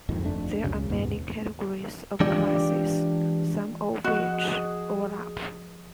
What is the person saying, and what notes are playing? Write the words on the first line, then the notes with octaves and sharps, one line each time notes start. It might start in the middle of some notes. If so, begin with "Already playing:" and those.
There are many categories of classes, some of which overlap.
A#1 F2 G#2 D#3
F#1 F2 A3 D4
C#2 F#2 C#3
D#2 G#2 B2
E3 G#3 D4 F4 G4 D5
F3 F#4 G#4 D#5 F#6